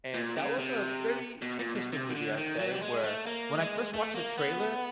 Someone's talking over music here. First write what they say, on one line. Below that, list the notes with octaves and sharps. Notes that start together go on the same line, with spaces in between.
and that was a very interesting movie, I'd say, where when I first watched the trailer,
A#2
C#3
C3
B2
A#2
B2
C3
D#3
D3
D#3
F#3
G3
G#3
A3
A#3
G#3
A3
A#3
B3